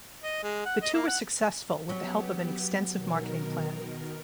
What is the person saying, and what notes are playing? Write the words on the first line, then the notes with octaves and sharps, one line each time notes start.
The two were successful with the help of an extensive marketing plan.
D#5
G#3
F#5
D#5
A#3
F#5
F#3 B3 C#4 G4
B2 D#3 A#4